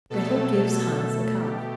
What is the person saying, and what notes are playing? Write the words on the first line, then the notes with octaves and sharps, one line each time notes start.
Grettel gives Hans a calf.
B2 F#3 A3 A4
B2 A3
G4